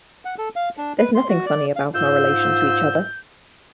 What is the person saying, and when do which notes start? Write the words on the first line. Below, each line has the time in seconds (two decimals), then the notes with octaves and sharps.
There's nothing funny about our relation to each other.
0.25 F#5
0.38 A4
0.56 F5
0.77 D4
0.98 B4
1.15 C6
1.29 F#4
1.46 D5
1.76 F5
1.94 G#2 F4 E6 G6